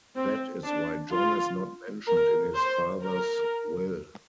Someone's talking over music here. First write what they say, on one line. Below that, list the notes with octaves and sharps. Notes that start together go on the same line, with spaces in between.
That is why John is not mentioned in his father's will.
C4
D4
F4
A#4
C5
A#4